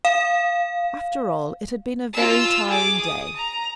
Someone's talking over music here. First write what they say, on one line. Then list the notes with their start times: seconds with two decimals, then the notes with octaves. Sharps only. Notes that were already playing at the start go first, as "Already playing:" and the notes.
After all, it had been a very tiring day.
0.05 F5
2.13 F4 E6
2.70 G#4 D6
3.00 D#6
3.36 A#5